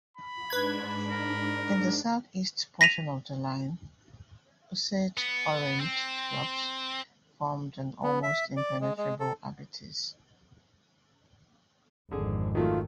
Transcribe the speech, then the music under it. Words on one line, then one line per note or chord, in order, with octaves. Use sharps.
In the southeast portion of the line, Osage-orange shrubs formed an almost impenetrable abatis.
B5
G#2 D4 B4 G#6
A#4
A#6 B6 D#7 F7
B3
C4
B3
E5
D5
G#3
G#3
A4
G#1 F2 D3 G#4
D#3 F#3 A3 F4